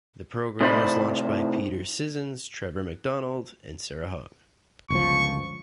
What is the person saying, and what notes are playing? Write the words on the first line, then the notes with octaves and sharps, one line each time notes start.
The programme was launched by Peter Sissons, Trevor McDonald and Sarah Hogg.
A2 C3 D#4 C5 D5 B5
G1 C#2 F3 C#6